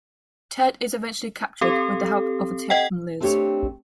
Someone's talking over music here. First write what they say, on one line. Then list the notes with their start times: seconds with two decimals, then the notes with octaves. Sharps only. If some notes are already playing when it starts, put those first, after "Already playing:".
Ted is eventually captured with the help of a tip from Liz.
1.61 C4 G4 A4
2.70 D#5 F#5 G5
3.20 A3 C4 D4 F#4 G4 C#5